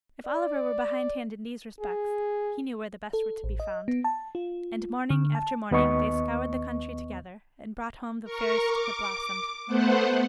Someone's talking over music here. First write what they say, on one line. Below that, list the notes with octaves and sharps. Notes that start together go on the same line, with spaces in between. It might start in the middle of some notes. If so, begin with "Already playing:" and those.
If Oliver were behindhand in these respects, he knew where the best were to be found; and morning after morning they scoured the country together, and brought home the fairest that blossomed.
D5
G#4
A4
A1
D#5
B3
A5
F4
D3
A5
D#2 B3 D#5 C#6
A#4 C#6
D6
A3 B3 C5 F#5